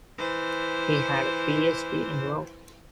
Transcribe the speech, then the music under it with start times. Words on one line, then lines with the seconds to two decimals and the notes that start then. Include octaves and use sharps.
He had a PhD in law.
0.18 E3 C5